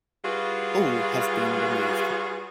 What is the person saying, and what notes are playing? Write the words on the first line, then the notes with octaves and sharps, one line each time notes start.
All have been removed.
G3 F4 F#4 G#4 B4